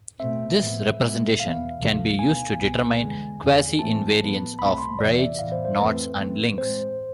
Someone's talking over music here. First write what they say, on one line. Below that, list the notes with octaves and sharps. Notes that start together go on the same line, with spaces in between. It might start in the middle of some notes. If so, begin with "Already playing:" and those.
This representation can be used to determine quasi-invariants of braids, knots and links.
B2 A3 C4 E5
A2 F3 B3
B2 G#3 B3
E2 B2 B3 F5
D2 C3 F3 A3
B2 B3 G#5
C2 B2 B3
E2 D3 G#3 B3
E2 D3 G#3
A2 E3 A3 C4 A5
A2 F3 B3
C2 B2 A3 C4 B5
C6
E2 C3 E3 D5
E5
A2 E3 B3 F5
C5
C5
F2 E3 A3 C4 B4
A2 E3 A3 C4
A2 G#3 C4 C5